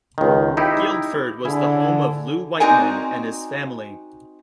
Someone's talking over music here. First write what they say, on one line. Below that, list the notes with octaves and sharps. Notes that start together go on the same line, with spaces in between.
Guildford was the home of Lew Whiteman and his family.
C#2 D#3
D#4 E4 G4
D3 E4 G#4
C4 D#4 F#4 A#4 D5 G#5